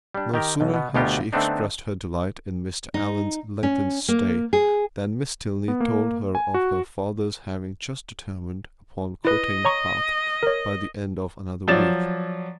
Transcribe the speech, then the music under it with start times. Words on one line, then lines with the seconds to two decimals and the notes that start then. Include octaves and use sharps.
No sooner had she expressed her delight in Mr. Allen's lengthened stay than Miss Tilney told her of her father's having just determined upon quitting Bath by the end of another week.
0.15 G3 D4
0.34 D#3 G4 A#4
0.60 B1 B2
0.74 B2 B3
0.94 D2 B2 B3 F4 G4 A#4
1.33 D3 A3 B3 C4 D4 D#4
2.94 D#4
3.63 C#4
4.08 A#3
4.53 G#4
5.68 B3
5.80 A#3
6.35 G#5
6.54 F#4
9.25 E4 B4 D#5
9.65 C#5 A#5 C#6
10.43 A#4 C#5
11.68 F3 F#3 D5 A6 E7